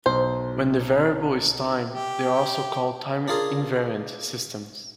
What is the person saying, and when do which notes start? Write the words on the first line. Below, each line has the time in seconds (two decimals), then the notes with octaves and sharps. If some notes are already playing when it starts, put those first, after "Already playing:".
When the variable is time, they are also called time-invariant systems.
0.06 B1 C5
1.91 G4
3.28 D4 F4 G#4 A#4